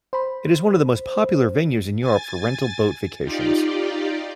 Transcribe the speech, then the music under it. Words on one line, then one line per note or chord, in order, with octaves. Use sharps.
It is one of the most popular venues in Europe for rental boat vacations.
C5 B5
G#5 A6
D#4 F4 G4 D5